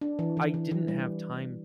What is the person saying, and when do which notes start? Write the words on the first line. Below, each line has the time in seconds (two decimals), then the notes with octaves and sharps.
I didn't have time
0.01 D4
0.19 E3
0.37 E3
0.54 E3
0.71 E3
0.88 G3